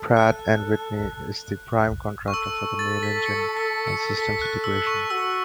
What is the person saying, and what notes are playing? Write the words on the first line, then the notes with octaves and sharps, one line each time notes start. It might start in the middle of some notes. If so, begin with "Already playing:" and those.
Pratt and Whitney is the prime contractor for the main engine, and systems integration.
Already playing: A4
F#6
C#6
A4 E6
A6
B6
C#7
B6
C#7
A4 B6
F#6
E6
C#6
F#4 E6